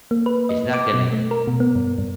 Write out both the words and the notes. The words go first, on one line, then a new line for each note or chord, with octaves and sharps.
it's not gonna
A#3
B4
D#5
D6
B2
A3
A#4
B2
B3
G2
G2